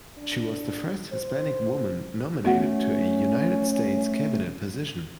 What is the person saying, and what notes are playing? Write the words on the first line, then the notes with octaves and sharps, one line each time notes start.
She was the first Hispanic woman nominated to a United States cabinet position.
D4
C5
A3 B3 C#4 F#4 F#5